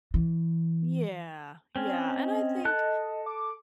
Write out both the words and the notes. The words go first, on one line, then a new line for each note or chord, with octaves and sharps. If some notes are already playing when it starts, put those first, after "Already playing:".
Yeah, yeah. And I think
E3
C4 C#4
D#5
A4 A5 F#6
D6